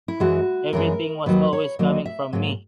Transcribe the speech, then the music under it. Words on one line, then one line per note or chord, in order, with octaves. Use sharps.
Everything was always coming from me.
E4
F#2 E3 G#3 F#4
F#2 E3 G#3 A#4
D#2 D#3 F#3 A#3 B4
C#5
D#2 D#3 F#3 A#3 D#5
E5
G#2 F#3 A#3